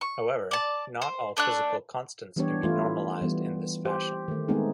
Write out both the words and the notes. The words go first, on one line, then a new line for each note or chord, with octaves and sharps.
However, not all physical constants can be normalized in this fashion.
C#6
D5 A5
C5
A3 D4 D5 F#6
E3 G3 B3 D4 G4 C#5
E3 A3 E4 F4
E3 G3 B3
G4 C5
D#3 A3
G#3 A3 B3 C4 D#4 G#4